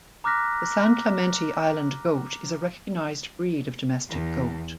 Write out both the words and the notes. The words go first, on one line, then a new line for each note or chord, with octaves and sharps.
The San Clemente Island goat is a recognized breed of domestic goat.
A#5 D6 F6 F#6 A#6 B6
E2